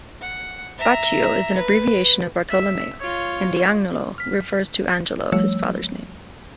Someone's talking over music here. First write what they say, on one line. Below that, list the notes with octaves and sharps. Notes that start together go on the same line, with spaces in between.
"Baccio" is an abbreviation of Bartolomeo, and "d'Agnolo" refers to Angelo, his father's name.
F#5
E5 A#5
B4
E5
F4 C#5
F6 B6
F3 G3 A3 C#5 E6